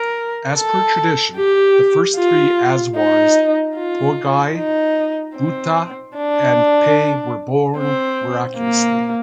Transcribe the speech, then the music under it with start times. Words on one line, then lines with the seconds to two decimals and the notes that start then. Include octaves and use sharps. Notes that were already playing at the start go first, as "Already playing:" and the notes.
As per tradition, the first three "azhwars", Poigai, Bhutha and Pey were born miraculously.
Already playing: A#4
0.56 A4
1.36 G4
2.16 F4
2.96 D#4
3.76 F4
4.57 D#4
5.36 C4
6.17 D4
7.77 C4
8.57 A#3